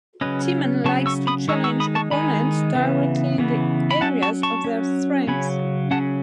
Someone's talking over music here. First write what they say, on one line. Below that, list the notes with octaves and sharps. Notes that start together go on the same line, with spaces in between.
Timman likes to challenge opponents directly in the areas of their strengths.
C#3 F#3 C#4 B4 D#5
C#3 F#3 C#4 A5 C#6
C#6 E6
B5 D#6
D#3 G#3 D#4 C#6 E6
C#6 E6
B5 D#6
A5 C#6
D#3 G#3 D#4 G#5 B5
C#3 E3 B3
C#3 E3 B3
B5
F#3 C#4 F#5 A5
A5 C#6
A5 C#6
F#3 C#4
C#3 F#3 C#4 G#5 B5
C#3 F#3 C#4 F#5 A5